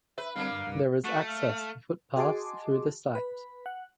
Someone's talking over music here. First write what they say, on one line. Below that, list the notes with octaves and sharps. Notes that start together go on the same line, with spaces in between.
There is access to footpaths through the site.
B4 E5
D3 G3 A#3 C4 F5
G2
C2 G2
A3 F#4
F5
F#4 G#4 D#5 A5 C6 D6
B4 B5
F#5